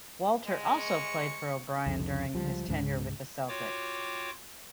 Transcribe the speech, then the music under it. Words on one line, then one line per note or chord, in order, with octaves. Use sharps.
Walter also played for O'Brien during his tenure with the Celtics.
G#3
C#6
C2 F2 D3
C#2 F3 G3
C#2 G#2 C#3
F4 F#4 C#5 G5 D6